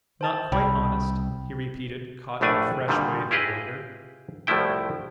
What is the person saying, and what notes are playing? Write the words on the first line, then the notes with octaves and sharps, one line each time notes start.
"Not quite honest?" he repeated, caught in a fresh wave of wonder.
C5 A5 A6
C2 G5 B5
A#1 A2 A3 D4 D5 G#5
A#2 D3 D#3 G3
E4 F4 G4 G#4 B4 D#5
C2 A2 F3 A3 E4 G5